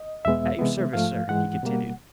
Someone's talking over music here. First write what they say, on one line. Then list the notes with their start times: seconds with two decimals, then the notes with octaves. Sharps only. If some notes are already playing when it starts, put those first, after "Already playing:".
"At your service, sir," he continued.
Already playing: D#5
0.25 E2 B2 G#3 B3 E5
0.59 C3 E3 G#3 B3
0.93 G#2 F3 A3 F5
1.28 G#2 E3 G#3 F#5
1.63 B2 G3 A#3